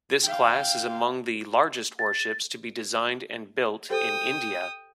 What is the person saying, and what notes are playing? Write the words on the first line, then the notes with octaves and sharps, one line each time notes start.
This class is among the largest warships to be designed and built in India.
F5 G5
A6
G4 A4 C5 G5 D#6